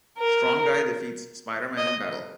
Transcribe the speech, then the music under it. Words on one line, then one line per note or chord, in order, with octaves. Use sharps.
Strong Guy defeats Spider-Man in battle.
A#4
D#5